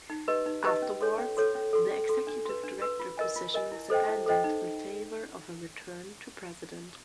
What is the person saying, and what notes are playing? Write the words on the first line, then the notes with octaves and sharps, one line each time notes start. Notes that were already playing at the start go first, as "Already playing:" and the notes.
Afterwards, the Executive Director position was abandoned in favor of a return to "President".
D#4
G4 B4 D#5
D#4
G4 B4 D#5
C#4
F#4 A4 C#5
C#4
F#4 A4 C#5
C#4
F#4 A4
C#4
F#4 A4
D4
F#4 B4
D4
F#4 B4
F4
A#4 D#5 G#5
F4
A#4 D#5 G#5
E4
A4 C5 D#5 G5
E4
A4 C5 D#5 G5
D#4